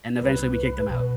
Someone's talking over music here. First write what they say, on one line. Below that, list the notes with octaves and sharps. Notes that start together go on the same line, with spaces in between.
and eventually we kicked them out.
C2 B4
B2